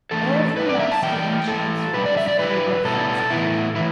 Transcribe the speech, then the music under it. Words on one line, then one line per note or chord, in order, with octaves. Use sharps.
Every master in Chancery has had a reference out of it.
E3 A3 D4 A4
D3 G3 D4 B4
D5
E5
A5
E3 G3 E4 G5
E3 A3 E4 A4
B2 G3 D4 B4
D5
E5
D5
D3 G3 E4 B4
B2 G3 B3 E4 A4
A2 E3 B3 E4
A2 E3 E4